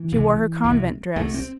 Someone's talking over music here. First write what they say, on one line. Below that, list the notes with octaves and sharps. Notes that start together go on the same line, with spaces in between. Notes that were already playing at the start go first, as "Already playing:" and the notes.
She wore her convent dress.
Already playing: E3
C2 C3
C2 C3
C2 C3 A3
C4